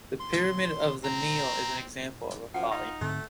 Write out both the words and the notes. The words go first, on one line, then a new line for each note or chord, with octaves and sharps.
The Pyramid of The Neale is an example of a folly.
C6
C4 A#5
F#2 F3 F#5
D#4 F4
G#2 D3 A3 C4